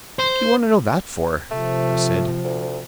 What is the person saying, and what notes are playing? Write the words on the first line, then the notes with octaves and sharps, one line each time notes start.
"What do you want to know that for?" I said.
C5
C3 F3 A3
D2